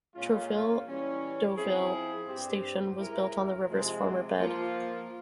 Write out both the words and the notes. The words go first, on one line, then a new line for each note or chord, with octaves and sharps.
Trouville-Deauville station was built on the river's former bed.
A#2 G#3 C#4 F4
E3 G3 C#4
F3 C4 E4 G#4
G2 G3 C4 G4
G#3 E4 A#4
C3 F3 G#3
F3 A#3 F4